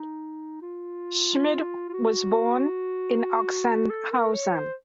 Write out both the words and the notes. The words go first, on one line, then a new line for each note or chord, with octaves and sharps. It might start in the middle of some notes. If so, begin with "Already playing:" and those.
Schmid was born in Ochsenhausen.
Already playing: D#4
F4
F4
F#4
A4
A#4
C#5
C5